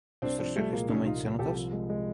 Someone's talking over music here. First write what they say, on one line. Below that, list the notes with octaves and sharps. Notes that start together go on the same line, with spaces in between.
The structure has two main cenotaphs.
C2 C4 D4
F3 C4 D4
F3 G3 A3
A#2 G#3 A#3
C2 C#4 D#4
C2 D#4 F4
C2
C2 G4 A4
F3
G#3
G#3